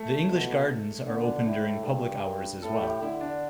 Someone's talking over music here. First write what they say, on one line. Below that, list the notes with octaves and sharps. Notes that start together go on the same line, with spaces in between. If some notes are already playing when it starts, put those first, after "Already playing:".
The English gardens are open during public hours as well.
Already playing: A3
B2
D3 B3
D4
A2 E4
A4
G2
A2 A4
G4
D3 E4
D4